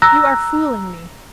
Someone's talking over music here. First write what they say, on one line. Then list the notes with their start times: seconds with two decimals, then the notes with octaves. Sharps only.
"You are fooling me."
0.02 A#5 E6 F#6 A#6